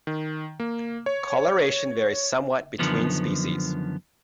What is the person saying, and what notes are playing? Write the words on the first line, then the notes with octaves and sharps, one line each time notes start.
Coloration varies somewhat between species.
D#3
A#3
C#5
F#2 D3 D#3 F3 B3